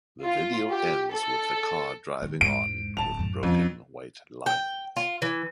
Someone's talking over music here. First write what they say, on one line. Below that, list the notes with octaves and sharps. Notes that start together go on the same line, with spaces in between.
The video ends with the car driving on with broken white lines.
F4
G4
A4
D#3 D#4
E1 G#2 D7
D1 A5 F7
F#2 A2
F2 C#4
G5
F4
E3